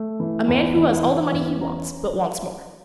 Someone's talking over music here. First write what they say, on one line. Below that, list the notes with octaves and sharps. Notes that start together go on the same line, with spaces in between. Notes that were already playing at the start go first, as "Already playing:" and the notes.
A man who has all the money he wants but wants more.
Already playing: A3
E3
E2
E3
E3
E2
C#4 A#5